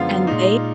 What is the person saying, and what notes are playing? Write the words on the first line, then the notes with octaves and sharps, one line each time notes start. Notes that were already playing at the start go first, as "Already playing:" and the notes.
And they,
Already playing: F#2 D3 F3 G#3 B3 F4 F5
A#2 G#3 D#4